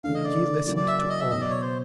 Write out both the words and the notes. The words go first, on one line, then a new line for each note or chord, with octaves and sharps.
She listened to all.
C#3 E3 A3 D4 F5
D#5
D5
C#3 F#3 A#3 C#4 E4 D5
D5
E5
D5
D#5
E5
B2 F#3 B3 D#5
D5
C#5
C5